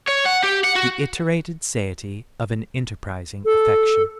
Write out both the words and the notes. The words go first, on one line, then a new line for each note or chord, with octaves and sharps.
The iterated satiety of an enterprising affection.
C#5
F#5
G4
F#5
F#4
A4